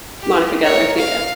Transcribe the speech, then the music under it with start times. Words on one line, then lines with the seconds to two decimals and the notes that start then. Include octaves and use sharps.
Monica Geller, yeah.
0.20 G4
0.60 A#4 C#5
0.98 F5